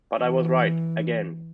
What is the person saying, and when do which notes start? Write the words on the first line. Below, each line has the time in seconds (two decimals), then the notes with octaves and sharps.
But I was right - again!
0.19 E3